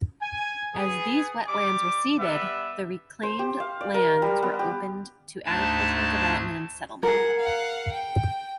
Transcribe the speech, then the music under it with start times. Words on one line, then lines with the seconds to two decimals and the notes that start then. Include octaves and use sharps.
As these wetlands receded, the reclaimed lands were opened to agricultural development and settlement.
0.21 G#5
0.74 B3 G#4
1.47 G3 D6
2.18 G3 B3 E5
3.23 C5
3.39 G4
3.60 F5
3.81 D5
3.94 A#4
4.22 G3
4.43 B3
4.59 G4
5.45 D2 G#2 A3 D4 A5 G#6
7.03 G#4 A#4 F#5
7.39 F5 F#5
7.92 G5